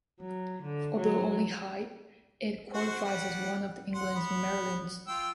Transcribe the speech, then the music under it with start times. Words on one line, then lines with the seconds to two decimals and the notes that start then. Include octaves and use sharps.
Although only high, it qualifies as one of England's Marilyns.
0.20 F#3
0.63 D3
0.97 F#3
2.74 F#4 C5 F#5
3.04 G3 F#5
3.94 F#5 C6
4.16 B3
5.07 F4 G5 E6